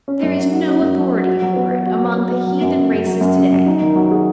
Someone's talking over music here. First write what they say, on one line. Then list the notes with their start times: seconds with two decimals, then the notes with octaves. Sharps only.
There is no authority for it among the heathen races to-day.
0.08 C#4
0.23 F#2
0.37 F#3
0.52 F#4
0.68 C#4
0.82 F#2
0.98 F#3
1.12 F#4
1.27 F#4
1.42 F#3
1.56 B3
1.71 B4
1.86 F#4
2.02 F#3
2.17 B3
2.32 B4
2.47 F#3
2.62 F#2
2.77 C#3
2.92 F#2
3.06 F#3
3.21 F#2
3.37 C#3
3.52 F#2
3.66 D#4
3.81 D#3
3.96 F#3
4.11 G#4